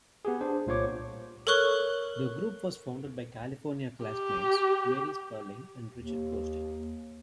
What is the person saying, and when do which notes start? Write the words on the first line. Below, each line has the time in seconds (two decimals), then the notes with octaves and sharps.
The group was founded by California classmates Mary Sperling and Richard Gosting.
0.25 B3 G4 G#4
0.41 D4 C5
0.67 C2 A#2 C5 C#5 D6
1.47 A4 A#4 C#5 C#6 F#6 G7
4.06 G4
5.97 D#2